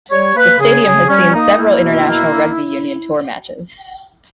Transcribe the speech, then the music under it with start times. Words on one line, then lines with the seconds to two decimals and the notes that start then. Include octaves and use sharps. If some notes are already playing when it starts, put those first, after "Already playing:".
The stadium has seen several international rugby union tour matches.
0.11 G3 C#5
0.35 A#3 B4
0.60 C#3 G#4
0.84 C#3 G#4
1.09 G3 C#4
1.33 A#3 D#4
1.58 A#3 E4
1.82 B2
2.07 A#3